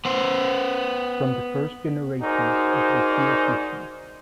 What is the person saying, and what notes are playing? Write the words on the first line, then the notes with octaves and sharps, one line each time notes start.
From the first generations of the Kyokushin.
B3 C5
D#4 F#4 G#4 A#4 C5 D5